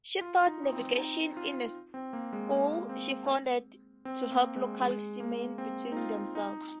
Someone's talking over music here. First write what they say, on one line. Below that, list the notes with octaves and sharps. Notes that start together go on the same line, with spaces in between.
She taught navigation in a school she founded to help local seamen better themselves.
F4
D#4
D#4
C4
D#4
F4
C4
A#3
G#3
A#3
C4
C4
A#3
G#3
G#3
A#3
C4
D#4
F4
D#4